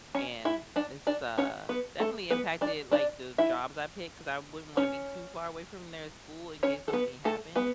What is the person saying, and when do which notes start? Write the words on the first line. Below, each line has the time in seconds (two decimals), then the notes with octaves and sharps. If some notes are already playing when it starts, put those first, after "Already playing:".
And, it's, uh, definitely impacted, like, the jobs I picked 'cause I wouldn't want to be too far away from their school in case something happened.
0.15 C#4 C#5
0.45 E4 E5
0.76 D4 D5
1.07 D4 D5
1.38 C#4 C#5
1.69 B3 B4
2.00 A3 A4
2.30 B3 B4
2.61 D4 D5
2.91 D4 D5
3.38 E4 E5
4.77 C#4 C#5
6.63 C#4 C#5
6.88 A4
6.93 B3 B4
7.25 A3 A4
7.56 B3 B4